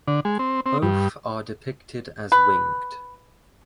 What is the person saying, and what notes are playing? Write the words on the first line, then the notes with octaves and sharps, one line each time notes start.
Both are depicted as winged.
D3
G#3
C4
C4
G2
B4